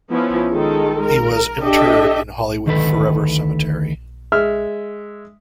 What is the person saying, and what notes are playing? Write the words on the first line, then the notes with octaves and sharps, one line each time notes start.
He was interred in Hollywood Forever Cemetery.
F3 B3 C#4 E4
D#3 G#3 A4
A#4
D4 G4 A4 D#5 E5
D2 D#3 A4 B4
G#3 E5 F6